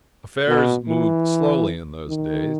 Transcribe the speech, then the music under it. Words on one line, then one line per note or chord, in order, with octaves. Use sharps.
Affairs moved slowly in those days.
B2
E3
D#3